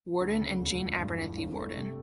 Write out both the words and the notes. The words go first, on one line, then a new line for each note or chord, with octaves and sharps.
Warden and Jane Abernathy Warden.
D2
C#3
E1
F3
G2
E3
G1
A3
C3